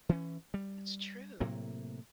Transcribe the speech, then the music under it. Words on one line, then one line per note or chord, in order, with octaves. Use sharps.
That's true.
E3 C#4
G3
A2 C3 F#3 A#3